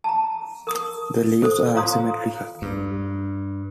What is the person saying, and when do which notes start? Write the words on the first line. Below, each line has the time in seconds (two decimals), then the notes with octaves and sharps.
The leaves are asymmetrical.
0.04 A5 A#5
0.67 A#4 D#6
1.43 A4 C5 D#6
1.75 F4 C#5 F5 A#5 C6 D#6
2.62 G2